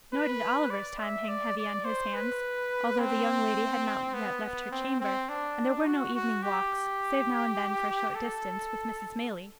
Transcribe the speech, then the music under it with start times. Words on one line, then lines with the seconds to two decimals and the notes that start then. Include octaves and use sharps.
Nor did Oliver's time hang heavy on his hands, although the young lady had not yet left her chamber, and there were no evening walks, save now and then, for a short distance, with Mrs. Maylie.
0.13 B4
0.70 D5
0.99 E5
1.28 D5
1.57 D5
1.84 C5
2.14 B4
2.99 C4
4.14 B3
4.71 C4
5.00 C4
5.29 D4
5.86 F#4
6.15 F#4
6.43 G4
8.15 A4